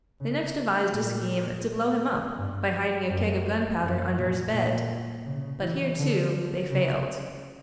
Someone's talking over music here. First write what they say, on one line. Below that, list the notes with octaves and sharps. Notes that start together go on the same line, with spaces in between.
They next devised a scheme to blow him up by hiding a keg of gunpowder under his bed; but here, too, they failed.
C#3
A#2
G2
F#2
F#2
A#2
A#2
C#3
E3
D3
C#3